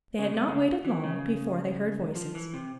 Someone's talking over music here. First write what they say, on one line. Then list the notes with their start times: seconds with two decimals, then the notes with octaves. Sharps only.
They had not waited long before they heard voices.
0.19 C#3
0.34 C3
0.48 C#3
0.85 E3
1.04 C#3
2.15 F3
2.35 E3
2.54 C3